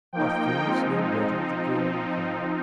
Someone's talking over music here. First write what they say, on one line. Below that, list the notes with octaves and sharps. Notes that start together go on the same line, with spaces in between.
'Are things no better?' the girl inquired.
F3 A#3 D#4 G5
F3 G#3 C4 D#4
F3 C4 D#4